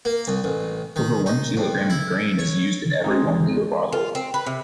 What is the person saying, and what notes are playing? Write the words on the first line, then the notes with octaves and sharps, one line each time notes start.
Over one kilogram of grain is used in every one-liter bottle.
A#3
C2
A1
D#3
D#4
F2
E4
C#5
G#3 C4 D#4
F4
C4
B4
C3